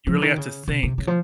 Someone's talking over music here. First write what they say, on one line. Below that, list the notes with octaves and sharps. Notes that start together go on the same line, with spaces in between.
you really have to think,
F3
C#3
D#3
C#3
C3
C3
C#3
F3